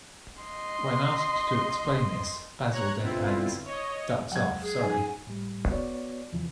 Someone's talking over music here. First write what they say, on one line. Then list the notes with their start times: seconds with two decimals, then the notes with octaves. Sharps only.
When asked to explain this, Basil deadpans, "Duck's off, sorry".
0.43 D#5 C6
2.71 C#5 A#5 F#6 G#6
3.02 B2 D3 C4 E4 F4
3.65 C#5 D#5
4.32 F#3 G#3 F#5 G5 G#6
4.63 G#4
4.82 D#4 G#5
5.27 A2 G3
5.69 B3 F#4 C#5 D5
6.33 E2 C3 E3 F3